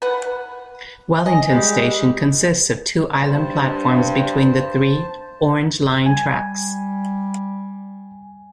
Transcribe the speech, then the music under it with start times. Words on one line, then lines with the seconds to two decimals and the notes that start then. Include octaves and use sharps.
Wellington station consists of two island platforms between the three Orange Line tracks.
0.02 B4 F#5
1.26 D#5 G#5
1.50 G3 G#3 G4
3.15 G2 C5 A5
6.06 G3 G#5